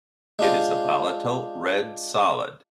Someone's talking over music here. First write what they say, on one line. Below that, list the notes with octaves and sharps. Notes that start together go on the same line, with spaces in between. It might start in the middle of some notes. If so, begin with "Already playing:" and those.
It is a volatile red solid.
G#3 D4 F4 C5